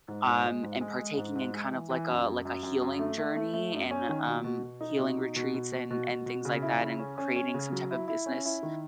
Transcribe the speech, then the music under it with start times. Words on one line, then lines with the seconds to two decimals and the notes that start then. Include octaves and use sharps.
um, and partaking in kind of, like a like a healing journey and, um, healing retreats and and things like that, and creating some type of business
0.08 G#2
0.27 G#2
0.46 G#3
0.63 G#2
0.81 G#3
0.99 G#3
1.18 G#2
1.35 G#2
1.54 G#3
1.72 E3
1.90 E3
2.08 F#2
2.27 F#2
2.45 F#2
2.63 F#2
2.82 F#2
2.99 A3
3.18 A3
3.36 A3
3.54 A3
3.72 F#2
3.91 C#4
4.09 D#3
4.27 B2
4.44 B2
4.63 B2
4.81 D#4
4.99 B2
5.17 D#4
5.36 B2
5.54 B2
5.72 B2
5.91 B2
6.08 B2
6.26 B2
6.45 C#3
6.62 E4
6.81 C#3
6.99 C#4
7.18 C#4
7.36 C#4
7.54 C#3
7.72 F#3
7.91 E4
8.08 E4
8.26 C#4
8.45 E4
8.63 D#3